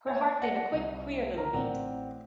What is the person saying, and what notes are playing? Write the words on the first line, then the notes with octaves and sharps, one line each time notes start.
Her heart gave a quick, queer little beat.
C#5 E5 G#5 A5
D5 F#5 A#6 C#7
C2
A#4 A#5
A1 C4 D5 F#5